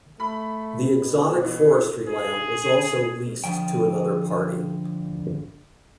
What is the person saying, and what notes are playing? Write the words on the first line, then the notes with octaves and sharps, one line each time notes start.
The exotic forestry land was also leased to another party.
A3 B5
B2
E3
G#4
D3 F3 G5